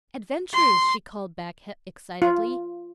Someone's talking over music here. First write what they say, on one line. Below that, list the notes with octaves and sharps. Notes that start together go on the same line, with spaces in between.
"Adventures!" she called back excitedly.
C6
F4